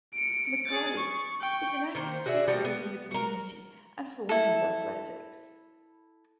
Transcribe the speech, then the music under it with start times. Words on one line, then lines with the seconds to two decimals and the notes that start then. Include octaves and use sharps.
McCallie is an active speaker within the community and for women's athletics.
0.14 C#7 D7
0.68 G#4 A6
0.98 C#6
1.41 G5 C#6
1.95 D#3 A#3 C5
2.26 F#4 G#4 D5 E5
2.48 F3 G3 F#4 G4
2.65 B3
3.11 F#4 A#4
4.29 E4 A4